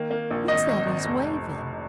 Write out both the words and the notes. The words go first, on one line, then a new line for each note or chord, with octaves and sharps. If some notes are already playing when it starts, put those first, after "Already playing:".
What's that he's wavin'?
Already playing: D#3 A#3
A#3
A#1
G#1 D#5
G#1
G#1
F1